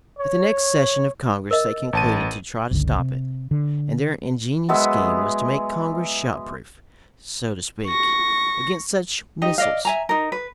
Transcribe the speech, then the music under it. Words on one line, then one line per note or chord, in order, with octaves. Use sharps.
At the next session of Congress they concluded to try to stop it, and their ingenious scheme was to make Congress shot-proof, so to speak, against such missiles.
C#5
A#4 D#5
A1 A5 D#7
G1 C#2 D3
C3
D3
F#3 G#3 B3 E5
C#6 A#6
D#4 G4 D#5
D5 D#5 F5
E5 G#5 A#5
D#4 A#4
B4